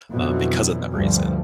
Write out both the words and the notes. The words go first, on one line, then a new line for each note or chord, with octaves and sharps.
uh, because of that reason,
F2 B2 D3 E3 F#3
D2 G2 F3 G3